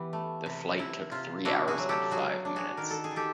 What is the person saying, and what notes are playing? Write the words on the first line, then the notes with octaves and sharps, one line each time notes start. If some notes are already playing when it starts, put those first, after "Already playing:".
The flight took three hours and five minutes.
Already playing: E3 B3 G4
A3
C3
C3 E4
C3 F4
D4 E4 F#4
F#4 G#4
F#3
G4 A4
F#3 F#4 G#4
D4
F#4 G#4
D#3 A#4
A4
G#4
D#3
G4 A4